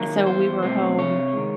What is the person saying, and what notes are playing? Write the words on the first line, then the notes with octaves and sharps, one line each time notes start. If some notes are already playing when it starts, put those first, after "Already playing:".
so we were home
Already playing: D#3 F#3 A#3 A#4
E2 C5
B2 F#3 A3 C4
C3 C#5
D#3 G#3